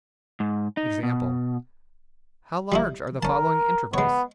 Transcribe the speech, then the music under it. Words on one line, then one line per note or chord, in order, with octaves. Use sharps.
Example: How large are the following intervals?
G#2
D#4
B2
G3 D#4 E4
C#4 A#4 A5
G#3 B3 C#5